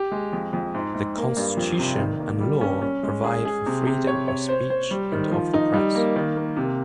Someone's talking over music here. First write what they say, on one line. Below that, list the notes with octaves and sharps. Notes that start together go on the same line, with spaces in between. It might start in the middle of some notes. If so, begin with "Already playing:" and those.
The constitution and law provide for freedom of speech and of the press.
Already playing: G4
G#3
F2
F2
G#2
G#2
A#3
G2
F2
C3
D#3
A#3
G3
C#4
C#4
G#3
G#4
G#4
C3
C3
C#5
C#5
C5
C5
G3
D#3
F3
D#4
G3
A#3
D#3
A#3
C3